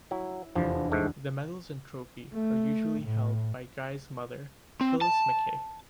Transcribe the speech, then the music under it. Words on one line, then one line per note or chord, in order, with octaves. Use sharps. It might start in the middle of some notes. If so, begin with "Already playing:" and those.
The medals and trophy are usually held by Guy's mother Phyllis Mackay.
F#3 E4
F1 E2 F3 D4
G#2 A3
A3
A2
C4
A5